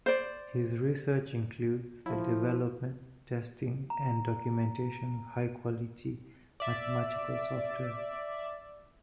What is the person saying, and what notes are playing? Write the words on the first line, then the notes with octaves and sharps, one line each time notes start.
His research includes the development, testing and documentation of high-quality mathematical software.
C5 D5
F3 E4
A#5
D5 E5